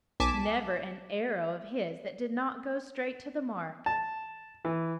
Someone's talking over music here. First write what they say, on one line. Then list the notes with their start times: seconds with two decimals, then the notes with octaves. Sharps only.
Never an arrow of his that did not go straight to the mark.
0.20 B1 G#5 A5 D6 B6 E7
3.86 A5
4.65 E3